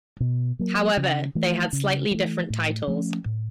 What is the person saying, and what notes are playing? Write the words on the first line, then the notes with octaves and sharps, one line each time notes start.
However, they had slightly different titles.
B2
F#3 A#3
C#3
E3 A3
C#3
E3 A3
A2
F3 A3 C#4
A2